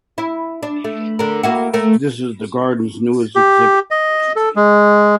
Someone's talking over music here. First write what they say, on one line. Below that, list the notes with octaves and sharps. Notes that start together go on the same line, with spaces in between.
This is the garden's newest exhibit.
E4
D4
A3
D3 A#4
A#3 E4 F#4
A3 A#4
G4
D#5
A4
G#3